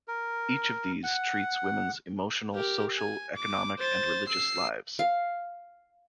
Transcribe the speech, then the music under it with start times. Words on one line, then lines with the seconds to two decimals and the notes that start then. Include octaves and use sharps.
Each of these treats women's emotional, social, economic, and religious lives.
0.08 A#4
1.04 F#5
2.55 G4 A#4
2.96 G#5
3.36 D6
3.79 C5 A6
4.28 E6 C7
4.99 F5